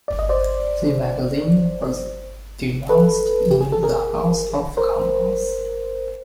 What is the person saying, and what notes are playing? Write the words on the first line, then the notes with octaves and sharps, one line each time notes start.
The magazine was denounced in the House of Commons.
D5
D#5
C5 D5
A4 B4
G4
G#4
A4
G#4 A#4
A#4 C5